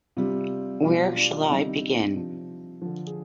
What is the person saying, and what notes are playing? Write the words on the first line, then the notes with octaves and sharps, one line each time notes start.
Where shall I begin?
C3 G3 F4
B2 G3 F4
G4
F4
D4
C3 D#3 G3 D#4
C3 F3
D3 F3
G#4